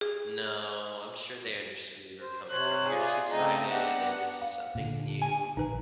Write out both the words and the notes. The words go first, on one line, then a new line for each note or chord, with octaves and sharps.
No, I'm sure they understood where you were coming from, you're just excited, and this is something new,
G#4
C5
C3 C5 C#5 F#6
F4 G#4 D5
C#3 A3 C4 D#4
B3 D4 G4 F#5
F5
A#2 D3
G#5
A#1 D#3 D#4 B4